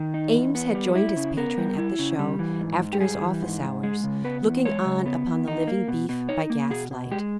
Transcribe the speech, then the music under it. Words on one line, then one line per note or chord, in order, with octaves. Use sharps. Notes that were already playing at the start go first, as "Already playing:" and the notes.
Eames had joined his patron at the show after his office hours, looking on upon the living beef by gaslight.
Already playing: D#3
D#4
E2
B3
G3
E4
C#3
B3 A#4
G3
E4
C#3
G3
E3
G#2
G#2
G4
G3 G#4
E3
G#2
G#2
G#3 G#4
C#3
B3 B4
E2
G#3 C#5
C#3
B3
E2
D#4
A#3
B2
B2
D#4 C#5
A#3
B2 G#4
B2
G#3 G4